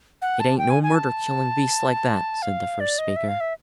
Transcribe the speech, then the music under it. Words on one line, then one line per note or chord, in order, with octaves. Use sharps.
"It ain't no murder killing beasts like that," said the first speaker.
F#5
A5
G5
G#5
G#5
A5
F5
D5
D#5
E5
F5
E5